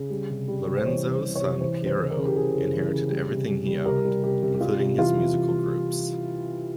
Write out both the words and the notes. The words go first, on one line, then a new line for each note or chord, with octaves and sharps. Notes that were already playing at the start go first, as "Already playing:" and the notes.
Lorenzo's son Piero inherited everything he owned, including his musical groups.
Already playing: C#3
G3
C3
G3
C3
C5
E3 C#5
G3
C5
E3
C#5
C3
E3 C5
C#3
C5
C#3
A#4
C#3
G4
C#3 G#4
C#3
E3
C#3
G3
C3
G3
G3
C3 A#4
G3
C3 G4
C3
G4
G3 F4
C3
E3 F4
E3